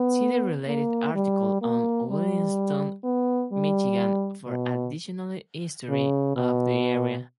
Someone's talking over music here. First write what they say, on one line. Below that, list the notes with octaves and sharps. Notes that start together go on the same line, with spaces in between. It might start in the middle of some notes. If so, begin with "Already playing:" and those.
See the related article on Williamston, Michigan for additional history of the area.
Already playing: B3
A#3
G3
A#3
G3
B3
G3
B2
C#3
B2